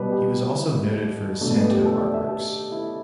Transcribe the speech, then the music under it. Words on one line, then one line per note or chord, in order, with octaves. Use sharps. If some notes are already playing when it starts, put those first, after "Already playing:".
He was also noted for his santo artworks.
Already playing: B2 G3 B4 D5
G4
E4
B2 A3 D4
B3
G4
A4
D5
E5
A4
E4